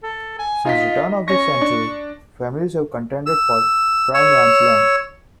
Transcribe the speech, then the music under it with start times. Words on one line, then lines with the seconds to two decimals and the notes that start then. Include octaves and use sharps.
Since the turn of the century, families have contended for prime ranch land.
0.03 A4
0.39 G#5
0.65 D#4 F4 D#5 B6
1.28 C#4 C#6 A#6
1.61 D4
3.26 E6
4.14 C#5 E6